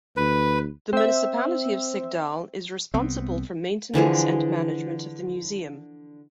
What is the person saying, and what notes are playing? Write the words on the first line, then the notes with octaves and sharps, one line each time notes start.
The municipality of Sigdal is responsible for maintenance and management of the museum.
D2 B4
C4 E5
C2 B3 C4
D3 E3 F3 G#4